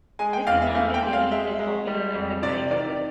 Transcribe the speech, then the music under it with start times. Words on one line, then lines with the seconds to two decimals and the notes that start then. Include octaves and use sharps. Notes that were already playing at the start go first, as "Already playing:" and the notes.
This has not been nearly as popular as the gry puzzle.
0.19 G#3 G#5
0.33 G5
0.47 E2 F5
0.62 E5
0.75 A3 F5
0.94 G5
1.03 C4
1.13 F5
1.31 G#3 E5
1.59 G#3
1.87 G3
2.15 F2
2.43 C3 D5
2.71 D#3 D5